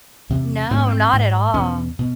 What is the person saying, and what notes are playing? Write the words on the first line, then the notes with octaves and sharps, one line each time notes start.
No, not at all.
E2 C3
G#2 C4
B3
C4
G#2
E2 B2 C#4
B2